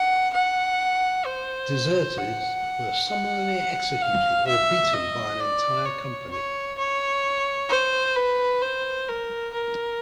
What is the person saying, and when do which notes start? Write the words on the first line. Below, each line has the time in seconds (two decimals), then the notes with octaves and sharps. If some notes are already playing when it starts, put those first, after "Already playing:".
Deserters were summarily executed or beaten by an entire company.
Already playing: F#5
0.34 F#5
1.26 C5
2.17 F#5
3.09 F#5
4.02 F5
4.47 E5
4.94 D#5
5.40 D5
5.85 C#5
6.31 C#5
6.78 C#5
7.69 C5
8.16 B4
8.62 C5
9.08 A#4
9.53 A#4